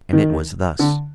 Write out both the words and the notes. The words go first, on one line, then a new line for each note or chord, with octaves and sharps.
And it was thus.
D#3
D3